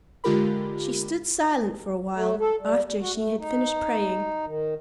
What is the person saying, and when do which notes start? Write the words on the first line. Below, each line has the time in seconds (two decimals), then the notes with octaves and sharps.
She stood silent for a while after she had finished praying.
0.24 D3 G#3 F4 G4 A#4 B5
2.14 A3
2.39 A4
2.61 G3
2.84 G3
3.00 F#4
3.14 A3
3.38 D#4
4.46 D#3